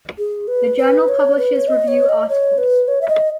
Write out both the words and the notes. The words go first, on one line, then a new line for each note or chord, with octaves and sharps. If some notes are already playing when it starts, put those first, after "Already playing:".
The journal publishes review articles.
G#4
B4
B4
C#5
B4
C#5
D#5
C#5
D#5
C#5
B4
C#5
E5
D#5